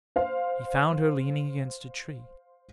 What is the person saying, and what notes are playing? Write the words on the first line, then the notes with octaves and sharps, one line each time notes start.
He found her leaning against a tree.
C5 F5